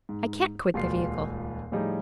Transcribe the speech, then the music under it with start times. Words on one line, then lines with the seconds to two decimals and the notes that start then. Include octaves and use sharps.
"I can't quit the vehicle."
0.09 G#2
0.74 D#1 C#2 F4 F#4 C7
1.72 A2 F3 G3 D#4 G#4